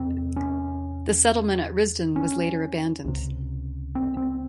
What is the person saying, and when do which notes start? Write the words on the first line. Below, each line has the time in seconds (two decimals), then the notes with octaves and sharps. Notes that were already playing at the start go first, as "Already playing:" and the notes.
The settlement at Risdon was later abandoned.
Already playing: E2 C3 C4
0.36 C#4
2.16 C#4
3.05 C#2 C3
3.95 C4
4.17 C4